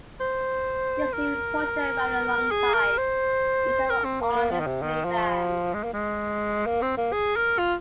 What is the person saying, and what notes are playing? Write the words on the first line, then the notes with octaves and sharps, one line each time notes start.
This new project ran alongside each of the artists' main bands.
C5
A#4
G#4
A#4
C5
A#4
C4
A#3
A#3
F3
D#3
C3
D#3
F3
G#3
A#3
G#3
A#3
C4
A#3
G#4
A#4
F4